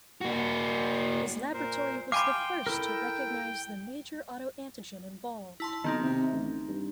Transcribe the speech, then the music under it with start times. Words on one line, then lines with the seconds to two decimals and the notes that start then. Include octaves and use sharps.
His laboratory was the first to recognise the major auto-antigen involved.
0.21 A#3 F#4
1.54 A#2 A#4 C5
2.12 F5 G5 G#5 B5 C6 D6
2.67 E4 A4 A#4
5.60 E4 A5 C6
5.84 B1 D#3 C4 D#4
6.03 C3
6.32 A1
6.68 G2